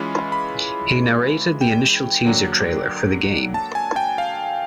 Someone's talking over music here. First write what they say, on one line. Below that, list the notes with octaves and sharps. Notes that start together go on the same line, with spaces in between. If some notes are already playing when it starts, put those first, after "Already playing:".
He narrated the initial teaser trailer for the game.
Already playing: E3 G#3 C#4 F4 B5
B5
G5
D3 F#3 A#3 D4
A5
G#5
G5
F5